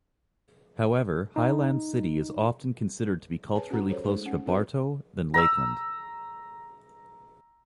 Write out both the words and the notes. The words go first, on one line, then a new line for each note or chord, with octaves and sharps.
However, Highland City is often considered to be culturally closer to Bartow than Lakeland.
D#4
G#4 B4 C#5 G#5 A5
C#4 F#4 G4 F#5 A#5
A4 C5 C#5
G#3 A3 D#4 G#4 A4 C5
C#4 F#5
C4 D4 F#4 A4 B4
A#5 E6